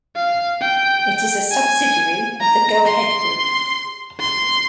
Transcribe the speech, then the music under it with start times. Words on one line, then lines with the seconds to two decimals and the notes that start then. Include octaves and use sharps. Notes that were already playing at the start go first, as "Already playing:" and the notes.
It is a subsidiary of the Go-Ahead Group.
0.16 F5
0.61 G5
1.51 G#5
2.41 A#5
2.86 C6
4.20 C6